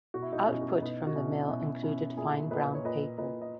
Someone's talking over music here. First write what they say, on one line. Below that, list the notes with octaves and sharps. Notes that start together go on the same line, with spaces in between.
Output from the mill included fine brown paper.
B2 F#4
E4
D#4 F#4
B2 C#4 E4
F#4
E4
B2 B3 D#4
F#4
B2 C#4 E4
B2 C#4 E4
B2 C#4 E4
A#2 E4 G#4
A#2 B4 D#5
C#5
A#2 B4 D#5
A#2 B4 D#5
D#5